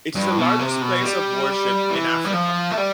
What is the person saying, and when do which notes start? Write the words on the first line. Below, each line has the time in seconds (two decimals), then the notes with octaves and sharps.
It is the largest place of worship in Africa.
0.15 G2
0.38 B2
0.59 C3
0.81 B2
1.02 G3
1.91 E3
2.25 G3
2.34 F3
2.71 A3
2.78 G3